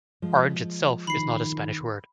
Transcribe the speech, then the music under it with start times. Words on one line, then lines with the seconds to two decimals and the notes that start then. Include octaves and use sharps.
"Orange" itself is not a Spanish word.
0.22 F3 G#3
1.07 D#3 B5 C7